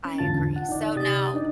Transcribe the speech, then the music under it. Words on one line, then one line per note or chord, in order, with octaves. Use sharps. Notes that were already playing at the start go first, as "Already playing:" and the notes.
I agree. So now,
C#4
E2 G#2 D3 F4 A5 A6
F#5
D#4 D5
C3 G4 D#6 A6
D4 D#4 D5